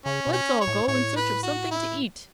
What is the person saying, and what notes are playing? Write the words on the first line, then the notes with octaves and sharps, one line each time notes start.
"Let's all go in search of something to eat!"
C#3 C#4
B2
C#4
C#5
A2
A2 C#5
B4
F#4
E4